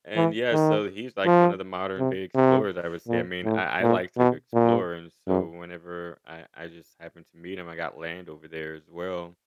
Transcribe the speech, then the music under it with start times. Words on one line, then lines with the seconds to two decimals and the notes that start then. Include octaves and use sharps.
And yeah. So he's, like, one of the modern-day explorers, I would say. I mean, I I like to g explore. And so whenever I I just happened to meet him. I got land over there as well.
0.16 E3
0.52 D#3
1.26 F3
1.98 C3
2.35 C3
3.08 A#2
3.44 A2
3.82 A#2
4.17 B2
4.54 A#2
5.28 F#2